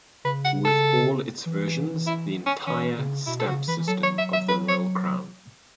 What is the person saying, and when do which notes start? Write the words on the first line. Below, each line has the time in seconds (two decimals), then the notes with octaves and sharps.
With all its versions, the entire stamp system of the Royal Crown.
0.24 C#3 B4
0.45 F#5
0.65 A4
1.46 E3
2.07 E4
2.46 C#4
2.67 E3 C#4
2.97 C#3
3.27 B2 E4
3.39 A4
3.47 C#3 F#4
3.67 E3 B4
3.79 E3
3.87 F#3 A4
4.03 C#5
4.18 E5
4.33 E5
4.48 B4
4.68 C#5